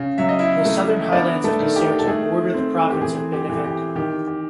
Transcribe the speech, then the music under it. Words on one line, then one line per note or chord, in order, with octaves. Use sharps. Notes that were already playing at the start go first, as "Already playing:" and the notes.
The southern highlands of Caserta border the Province of Benevento.
Already playing: C#3
F#3 E5
D#5
E4 E5
A3
B3 D4 D5
A3 A4
D#3
G4
A4
A3 G#4
C4
G4
E3 G#4
G4
E3 G4
G4
D#3 G4
G4